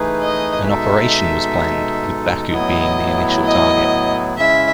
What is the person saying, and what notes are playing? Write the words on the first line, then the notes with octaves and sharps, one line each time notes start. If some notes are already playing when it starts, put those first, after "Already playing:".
An operation was planned, with Baku being the initial target.
Already playing: E3 A3 D#4 G#4 B4
D#5
B2 G#3 D#4 A4 E5
A2 F#3 B3 E4 D#5
D#5
C#3 G#3 C#4 E4 E5